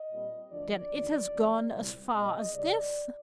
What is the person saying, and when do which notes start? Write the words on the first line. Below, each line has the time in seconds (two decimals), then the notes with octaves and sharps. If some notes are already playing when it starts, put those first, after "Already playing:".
"Then it has gone as far as this?"
Already playing: D#5
0.11 A#2 G3 C4
0.51 D2 D3 F3 D5
0.91 D#2 D3 F3
1.32 F2 D3 G#3 C4
1.73 C2 A#2 G3 C4
2.14 A#2 G#3 C4 D#5
2.54 C2 C3 D#3 G3 D5